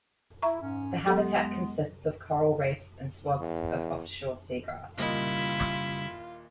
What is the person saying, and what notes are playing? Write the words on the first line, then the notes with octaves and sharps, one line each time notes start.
The habitat consists of coral reefs and swaths of offshore seagrass.
E4 E5 A#5 C#6
G#2 C#4
F#3 G#3 B3 G4 A4
E2
D#1 A#2 C#3 G3 E4 F4 D#5